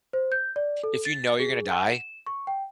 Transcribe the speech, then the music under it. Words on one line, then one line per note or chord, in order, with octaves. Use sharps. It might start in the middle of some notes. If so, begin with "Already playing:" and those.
if you know you're gonna die
C5
G6
D5
A4
A6
G#4
F#5
E7
C#6
G5